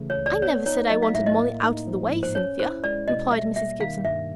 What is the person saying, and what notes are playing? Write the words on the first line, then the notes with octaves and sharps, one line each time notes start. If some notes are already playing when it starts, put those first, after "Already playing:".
"I never said I wanted Molly out of the way, Cynthia," replied Mrs. Gibson.
Already playing: C#3 E3 A3
C#5
C#2
D5
B3 C#5
D#4 C#5
F#3 D#5
F5
A2 E5
D#5
A#3
D#4
F3
G#2
C5
C#4 C#5
E4 C5
G#3 D5
B2 D#5
G3 E5
A#3 E5
D#3 F5
G2 E5